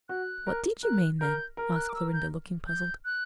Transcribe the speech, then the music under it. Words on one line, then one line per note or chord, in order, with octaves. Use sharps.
"What did you mean, then?" asked Clorinda, looking puzzled.
F#4 F#6
A#4
A#4 F#6
A#4 G6
A#4
E6
F#6
D6
E6
G6
G6
F#6